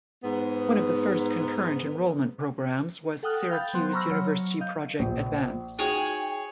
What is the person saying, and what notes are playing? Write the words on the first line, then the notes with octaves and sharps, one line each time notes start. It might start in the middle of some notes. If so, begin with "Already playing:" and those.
One of the first concurrent enrollment programs was Syracuse University Project Advance.
G#2 B3
A4 F#5 G5 D#6 F6 F#6
F5 G5 B5 G6 A6
F#3 B3 C5 C6 F#6
A#5 B5 C#6 E6 F6 A#6
F#3 C#5
D#5 F5 G6
A#1
D#4 F#4 G#4 C#5 G5